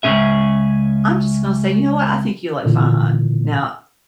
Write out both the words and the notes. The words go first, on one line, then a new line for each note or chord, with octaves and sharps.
I'm just gonna say, "You know what? I think you look fine." Now,
C#2 F#2 C#4 G#4 E5
A#2 D3 E3